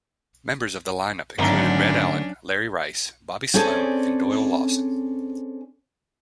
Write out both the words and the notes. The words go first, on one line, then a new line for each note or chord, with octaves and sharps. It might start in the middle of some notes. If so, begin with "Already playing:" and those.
Members of the line-up included Red Allen, Larry Rice, Bobby Slone, and Doyle Lawson.
G#1 D2 G#2 F#3 C#4 D4 A#5 G7
C4 C#4 G#4 A4 D5